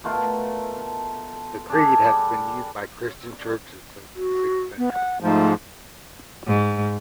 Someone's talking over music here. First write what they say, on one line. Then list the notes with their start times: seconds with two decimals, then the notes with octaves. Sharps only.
The creed has been used by Christian churches since the sixth century.
0.04 B2 A3 F4 A#4
1.69 D4 G#4 A4
2.04 G3
4.16 F#4
4.78 B3
4.92 F#5
5.22 G#2 F3 A3
6.47 G#2